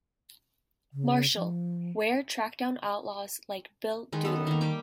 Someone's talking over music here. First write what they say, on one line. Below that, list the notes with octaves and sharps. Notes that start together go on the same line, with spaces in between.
Marshal, where tracked down outlaws like Bill Doolin.
C#3
F3
D#3 G#3 B4
B3 A4
D#3 A#3
G3 G4 G5 D6